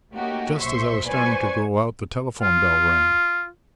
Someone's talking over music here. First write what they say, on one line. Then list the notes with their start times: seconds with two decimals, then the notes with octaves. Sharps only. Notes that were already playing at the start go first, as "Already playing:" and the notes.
Just as I was starting to go out the telephone bell rang.
0.13 A3 A#3 C#4 D#4 F#4 G4
0.60 B1 A#2 C5 E5 C6 C#6
1.05 B4 C5 D5 G#5 C#6 G#6
2.43 F4